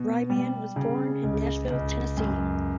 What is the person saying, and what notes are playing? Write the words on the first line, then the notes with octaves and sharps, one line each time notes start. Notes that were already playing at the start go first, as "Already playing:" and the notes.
Ryman was born in Nashville, Tennessee.
Already playing: B2
G3
C#3
C#2
C#2
F#2